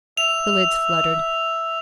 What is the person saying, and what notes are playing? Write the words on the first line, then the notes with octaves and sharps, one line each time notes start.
The lids fluttered.
E5 F7